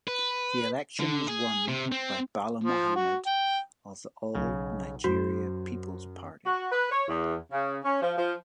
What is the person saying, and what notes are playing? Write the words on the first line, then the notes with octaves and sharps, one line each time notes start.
The election was won by Bala Mohammed of the All Nigeria Peoples Party.
B4
D3
G#4
C3
C4
F3
F#4
G5
B1 C#3
F#2 F#4 C5
F#4
B4
C#5
E2
C#3
C#4
F3
F3